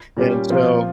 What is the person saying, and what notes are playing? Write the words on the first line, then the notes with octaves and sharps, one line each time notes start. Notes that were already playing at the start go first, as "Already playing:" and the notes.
And so
A#2 G3 C#4 G4
A#2 F3 C4 F4